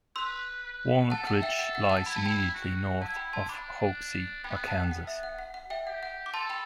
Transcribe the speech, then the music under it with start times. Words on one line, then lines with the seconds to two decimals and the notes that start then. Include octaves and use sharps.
Walnut Ridge lies immediately north of Hoxie, Arkansas.
0.16 B4 C6 E6
0.64 B4
1.10 A4 F#5 A5
1.27 F#5 A5
1.42 E5 G5
1.59 F#5
1.75 F#5
1.90 F#5 A5
2.05 E4 B5
2.16 A5
2.25 G5 B5
2.54 F#4
3.01 E4 F#5 A5
3.16 G5 B5
3.33 A5 C6
3.49 D4 B5 D6
4.43 B3 G5 B5
4.68 F#5 A5
4.84 G5
4.91 B3 F#5
5.07 E5
5.23 F#5
5.39 F#5
5.54 F#5
5.70 E5 G5
5.87 G4 F#5
6.03 F#5
6.26 D6
6.34 A4 A5 C6
6.50 G5 B5